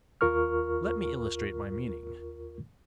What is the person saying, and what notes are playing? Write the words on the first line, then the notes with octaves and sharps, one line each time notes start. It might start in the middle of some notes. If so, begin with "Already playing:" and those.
Let me illustrate my meaning.
D#2 F4 A#4 C#6 F6